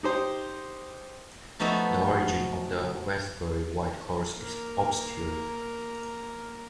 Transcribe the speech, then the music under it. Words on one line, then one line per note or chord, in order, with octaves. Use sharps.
The origin of the Westbury White Horse is obscure.
D#4 G4 C5
F3 A3 B3 D#4 F#4 E5
A#3 A#4